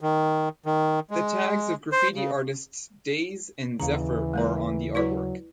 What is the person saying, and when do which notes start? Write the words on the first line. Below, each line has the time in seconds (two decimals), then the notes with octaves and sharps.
The tags of graffiti artists Daze and Zephyr are on the artwork.
0.01 D#3
0.66 D#3
1.11 G#3
1.92 C5
2.16 C#3
3.80 D#2 C#3 E3 F5 A#5
4.34 G#3 A#3 A#4
4.95 F#3 E4 B4 D5